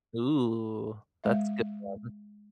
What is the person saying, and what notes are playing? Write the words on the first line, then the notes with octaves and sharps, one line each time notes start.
Ooh, that's good one.
G#3 E5